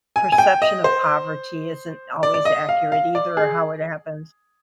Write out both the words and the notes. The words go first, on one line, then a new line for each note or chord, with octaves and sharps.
perception of poverty isn't always accurate either or how it happens.
G#5
G#5
G5
D#5
C5
D5
D5
D#5
F5
F5
D5
G#4